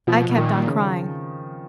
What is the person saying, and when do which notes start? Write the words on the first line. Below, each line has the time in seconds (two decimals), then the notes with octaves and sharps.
I kept on crying.
0.07 B2 F3
0.29 B2
0.37 A#2 D#3
0.67 C#3